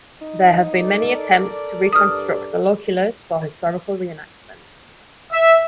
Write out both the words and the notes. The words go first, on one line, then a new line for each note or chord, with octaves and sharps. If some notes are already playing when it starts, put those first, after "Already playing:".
There have been many attempts to reconstruct the loculus for historical reenactment.
D#4
A4 A#4 D5
G2 D#6 F6
E5